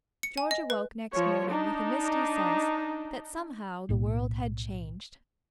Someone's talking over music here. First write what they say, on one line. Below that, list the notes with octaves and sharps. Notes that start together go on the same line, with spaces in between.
George awoke next morning with a misty sense that somehow the world had changed.
C#7
G#5
D#5
B4
F3 C#5
D4 D#4
B1 A2 A#3